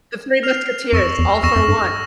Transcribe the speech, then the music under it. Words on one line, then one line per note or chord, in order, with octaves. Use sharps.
The Three Musketeers: "All for one."
F6 C7 F7
F2 C#6 E6 A#6 E7
E2
E2 C#6 E6 A#6 E7
F2
G2